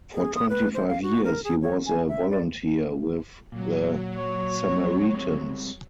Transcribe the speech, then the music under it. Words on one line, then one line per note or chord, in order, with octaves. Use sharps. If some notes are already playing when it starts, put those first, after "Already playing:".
For twenty-five years he was a volunteer with "The Samaritans".
G#4
D#6
B4
C5
F5
F#4
A#4
G#4
C#5
G#5
E5
D5
A#2 F#3
C#5
A#3
G3 G#3 C4